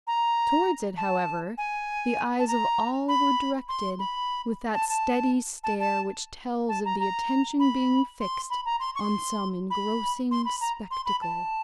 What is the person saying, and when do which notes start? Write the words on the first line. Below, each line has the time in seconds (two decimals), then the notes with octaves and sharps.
Towards it, however, the eyes of all were directed, with that steady stare which tells of the attention being fixed on some engrossing spectacle.
0.07 A#5
0.97 A5
1.58 G#5
2.39 A5
2.48 A#5
3.08 B5
3.69 C6
3.99 B5
4.74 A5
4.89 A5
5.64 A5
5.80 A5
6.69 A5
6.85 A#5
6.99 A#5
7.59 B5
8.20 C6
8.50 B5
8.65 A#5
8.80 C6
8.95 C#6
9.00 C6
9.70 B5
10.31 C6
10.45 B5
10.61 A#5
10.91 C6
11.06 B5
11.21 A5